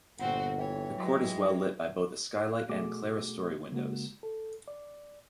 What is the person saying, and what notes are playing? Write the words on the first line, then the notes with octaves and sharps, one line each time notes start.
The court is well lit by both a skylight and clerestory windows.
G1 A#2 C4 F#4 F#5
E3 C#5 G5
F#3 G#3
F5 F#6
B2 A3 F#4 G#4 D6
C#3 G#3 A#3 F#4
A4
D5